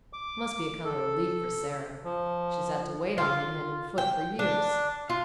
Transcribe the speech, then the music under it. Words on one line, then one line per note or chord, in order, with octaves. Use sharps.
Must be a kind of relief for Sara--she's had to wait on him, hand and foot, for years.
D6
A4
F3
F4
G5
D4
F4